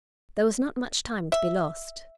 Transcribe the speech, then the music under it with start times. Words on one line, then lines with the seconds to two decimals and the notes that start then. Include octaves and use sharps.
There was not much time to be lost.
1.32 E5